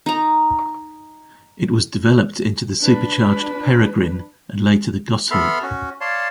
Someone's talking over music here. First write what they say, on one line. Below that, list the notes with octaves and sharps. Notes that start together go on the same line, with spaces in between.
It was developed into the supercharged Peregrine and later the Goshawk.
D#4 A#5
D4 B4
B3 A4 E5 B5 C6 F6
C#4 F#4
C#5 D5 F5 A5 C6